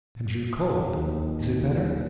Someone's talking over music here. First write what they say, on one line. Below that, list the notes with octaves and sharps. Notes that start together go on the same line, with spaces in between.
'And your cold, is it better?'
D#2